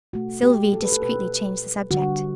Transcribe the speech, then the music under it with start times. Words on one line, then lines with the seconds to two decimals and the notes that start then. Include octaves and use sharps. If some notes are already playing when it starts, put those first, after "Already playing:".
Sylvie discreetly changed the subject.
0.13 B2 A3 F#4
0.43 G4
0.73 A4
0.82 B4
0.92 A4
1.02 B2 A3 B4
1.91 D3 G3 F#4